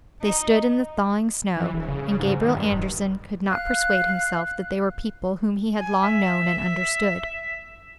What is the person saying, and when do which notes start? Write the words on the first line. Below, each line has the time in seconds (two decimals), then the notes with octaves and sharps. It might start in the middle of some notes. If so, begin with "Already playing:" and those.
They stood in the thawing snow, and Gabriel Andersen could not persuade himself that they were people whom he had long known and understood.
0.21 D#4
1.57 E3
1.73 E1
1.88 C#3
2.02 C#3
2.19 G#2
2.41 D#3
2.56 G2
2.72 D#1
3.49 F5 F#6
5.78 G#5
6.02 E5